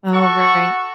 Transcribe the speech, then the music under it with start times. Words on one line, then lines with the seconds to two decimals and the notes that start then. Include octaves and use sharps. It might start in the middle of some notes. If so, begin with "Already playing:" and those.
Oh, right.
0.13 F#4 A4 C#6